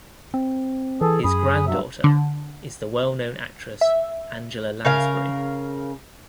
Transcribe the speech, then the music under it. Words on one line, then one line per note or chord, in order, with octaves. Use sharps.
His granddaughter is the well-known actress Angela Lansbury.
C4
E3 G#4 A4
F#2 G#4 B5 D#6
G2 F#3 E5
D3
E5
C#3 A#4 F5